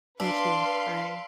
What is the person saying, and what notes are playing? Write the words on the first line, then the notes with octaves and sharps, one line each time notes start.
You, too. Bye.
D4 B4 F5 C6 E6 B6 D7